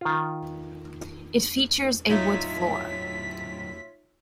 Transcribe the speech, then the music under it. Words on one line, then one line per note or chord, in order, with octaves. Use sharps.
It features a wood floor.
D#3 F4
A2 F#3 D#4 F4 C#5 D#5 E5 B6